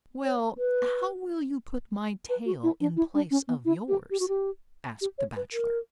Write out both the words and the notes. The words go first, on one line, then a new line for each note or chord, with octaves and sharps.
"Well, how will you put my tail in place of yours?" asked the Bachelor.
C#5
B4
B4
F#4
E4
D4
E4
D4
C#4
B3
E4
G4
G4
F#4
G4
G4
C#5
B4
A#4